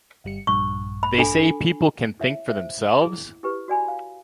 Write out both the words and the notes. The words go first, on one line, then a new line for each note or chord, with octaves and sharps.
They say people can think for themselves?
G1 G3 C#7
A#1 G2 C#6
B5
D4 A4 G#5
E4 C#5 E5
C5 E5
E4 G#4
E4 G4 B4
F#4 D5 G#5 B5
F5